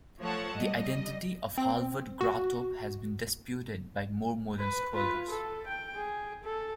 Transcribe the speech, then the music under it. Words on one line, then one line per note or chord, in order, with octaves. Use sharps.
The identity of Hallvard Graatop has been disputed by more modern scholars.
F3 A3 C#5 F#5 A5
G3 D#5
C4
F#4
B4
F4 B4
A4
G5
G#4
A4